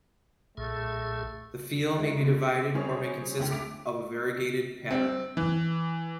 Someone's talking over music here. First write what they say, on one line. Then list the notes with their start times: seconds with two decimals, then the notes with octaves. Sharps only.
The field may be divided or may consist of a variegated pattern.
0.57 B1 A#2 A3 G#4
1.98 G#3 E4
2.20 B2 D3
2.74 G3 C4 C#4 G#4 C5 C#5
3.38 G#1 C#2 D3 G5
3.51 A3 D6 B6 D7 F7
4.91 C4
5.37 E3